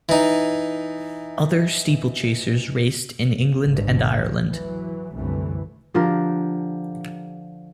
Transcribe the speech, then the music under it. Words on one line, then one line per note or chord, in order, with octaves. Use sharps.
Other steeplechasers raced in England and Ireland.
E3 D#4
G#1 D2 G#2
E3 F#3
C2 F#2 D3 E3 A3
D3 F3 G4 A#4